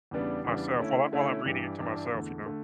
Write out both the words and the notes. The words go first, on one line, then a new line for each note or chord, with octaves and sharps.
myself while I while I'm reading it to myself, you know?
E2 C#3 G3 B3 D4
E2 C#3 G3 B3 D4
D3 A3 C#4 E4
D3 A3 C#4 E4
G2 E3 G3 D4 G4
G2 E3 G3 D4 G4
E2 D3 A3
D3 A3